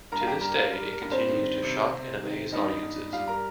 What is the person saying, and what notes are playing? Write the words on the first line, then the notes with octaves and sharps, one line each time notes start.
To this day it continues to shock and amaze audiences.
G2 A#4 A#5
F5
G4 G5
G3 A#4 A#5
F4 F5
G3 A#4
A#4
G2
C4 C5
D#3
C3
C3
D#3
G2 D#4 D#5
G2
G3 F4 F5
A#4 A#5